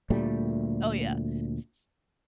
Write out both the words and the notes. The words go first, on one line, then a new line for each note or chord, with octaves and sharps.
Oh yeah, s s
D2 A#2 G3 A3